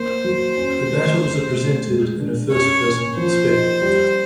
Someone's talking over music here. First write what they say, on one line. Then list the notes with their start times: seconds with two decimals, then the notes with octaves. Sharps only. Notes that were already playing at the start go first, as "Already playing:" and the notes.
The battles are presented in a first-person perspective.
Already playing: A#3 C5
0.24 F#3
0.57 C#4
0.89 A3
1.22 C#4
1.54 A3
1.86 G#3
2.19 D4
2.51 C#4 C#5
2.84 A#3
3.17 F3 C5
3.49 D#4
3.82 G3